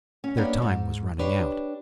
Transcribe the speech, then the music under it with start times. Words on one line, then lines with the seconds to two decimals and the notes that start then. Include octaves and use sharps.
Their time was running out.
0.24 C#4
0.37 G3 A#3 B3 C#4 D4
0.62 G#2
1.19 D4 G4 B4 C#5